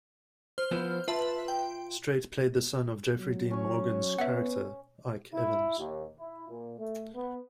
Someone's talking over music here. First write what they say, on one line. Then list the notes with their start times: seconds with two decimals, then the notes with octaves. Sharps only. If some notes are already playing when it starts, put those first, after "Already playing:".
Strait played the son of Jeffrey Dean Morgan's character, Ike Evans.
0.58 C5 F6
0.71 F3 B3 E4
1.08 F4 B4 E5 A5
1.48 G5
3.18 F#3
3.51 C#4 C#5
4.19 B3 E5 F#5
5.33 E4
5.77 D#2
6.19 E4
6.49 A#2
6.78 A3
7.14 B3